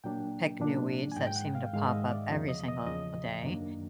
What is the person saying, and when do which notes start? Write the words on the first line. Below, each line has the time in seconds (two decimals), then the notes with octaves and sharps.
pick new weeds that seem to pop up every single day,
0.04 A#2 F#3 A#3 D4 G5
0.60 A#2 F#3 A#3 D4
1.12 G#5
1.17 G#2 D#3 G#3 G5
1.27 G5
1.36 F#5
1.55 F5
1.73 G#2 D#3 G#3 F5
1.84 E5
1.92 D#5
2.12 D5
2.30 E2 C#3 F3
2.49 D#5
2.68 D#5
2.87 E2 C#3 F3 D#5
3.43 F#2 D#3 F#3 A#3 D4